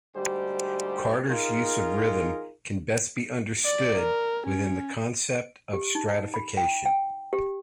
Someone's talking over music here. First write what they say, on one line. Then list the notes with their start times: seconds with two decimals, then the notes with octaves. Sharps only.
Carter's use of rhythm can best be understood within the concept of stratification.
0.15 D2 G#2 G3 G4 C5
1.30 D#4 F4 G#4 A#4
3.65 D5
3.96 A#4
4.47 C#4
5.73 G4
5.95 D#4
6.34 B5
6.57 G5
6.86 G5
7.33 G4